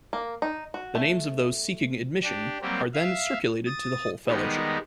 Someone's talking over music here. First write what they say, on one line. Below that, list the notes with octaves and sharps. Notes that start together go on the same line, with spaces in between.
The names of those seeking admission are then circulated to the whole Fellowship.
A#3
D#4
F#4
A3
D4 G4
F#3 G3 A#3 C4 G4
E5 F5
D#6 A6
D#3 G3 G#3 B3 D#4